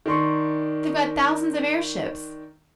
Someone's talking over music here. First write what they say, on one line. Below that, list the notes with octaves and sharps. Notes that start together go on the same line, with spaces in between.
They've got thousands of airships.
D#3 D4 C6 C#6